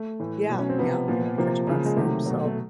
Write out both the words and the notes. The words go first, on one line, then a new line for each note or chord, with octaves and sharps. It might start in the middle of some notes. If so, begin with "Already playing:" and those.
Yeah, yep, you want to catch up on sleep, so
Already playing: A3
A2 E3
B2 F#3
C#4
C4
C3 F3 B3
A#2 F3
C3 F3 A#3
C#3 F3
G#3
C3 D#3 F#3 A3
B2 F#3
A3